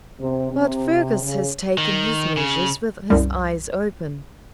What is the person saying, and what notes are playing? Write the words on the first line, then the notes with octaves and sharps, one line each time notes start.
But Fergus has taken his measures with his eyes open.
C3
C3
C#3
D#3
C#3
C2 F#2 G3